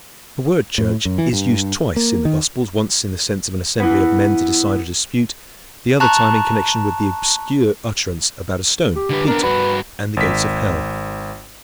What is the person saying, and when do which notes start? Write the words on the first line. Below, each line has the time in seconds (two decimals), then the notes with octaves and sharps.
The word church is used twice in the Gospels--once in the sense of an assembly of men to decide a dispute, the other time in connection with the obscure utterance about a stone--Peter, and the gates of hell.
0.78 A2
1.05 F#2
1.18 E3
1.33 G2
1.96 A#3
2.25 D#3
3.80 E3 B3
6.00 A5 A#5 C#6 F#6
8.96 G4
9.10 D3 B4
9.28 B3 D4 A#4
9.43 G2 F#4 B4
10.17 G#1 B6